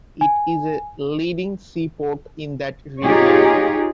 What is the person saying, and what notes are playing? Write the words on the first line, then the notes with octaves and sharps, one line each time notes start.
It is a leading seaport in that region.
G#5
D#4 F4 G4 G#4 C#5